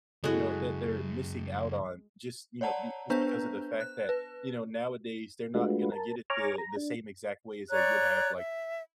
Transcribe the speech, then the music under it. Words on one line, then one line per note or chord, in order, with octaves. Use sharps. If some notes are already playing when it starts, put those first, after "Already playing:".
you know, that they're missing out on just, you know, be just because of the fact that, you know, nowadays, they're not gonna get it the the same exact way as they would have, like,
F#2 C#3 G#3 E4 F#4 A4
C#5 D5 F#5 A5 A#5
B3 D4 B4 C5 A#5 G6
F#6
B4
G#3 A3 D4 F4 F#4 B4
A#4 A5
C#5 G#5 A#5 C#6 D6 F6
A#5
D4
C#5 D5 A#5 F#6
E5